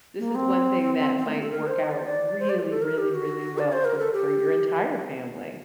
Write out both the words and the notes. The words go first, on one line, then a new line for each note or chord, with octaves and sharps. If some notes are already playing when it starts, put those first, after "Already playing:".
this is one thing that might work out really really really well for for your entire family.
A#3
C4
C4
A3
A#3
A4
A#4
C5
D#5
D5
C5
D5
C5
D5
G4
A4
A#4
G4
F#4
D5
C5
A#4
A4
G4